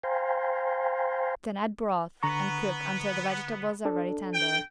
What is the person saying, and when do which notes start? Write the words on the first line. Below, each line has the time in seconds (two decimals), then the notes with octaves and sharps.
Then add broth and cook until the vegetables are very tender.
0.03 C5 F5 G5 G#5 A#5 C6
2.23 D3 B3 A#5 C#6
3.85 D4 A4
4.34 G5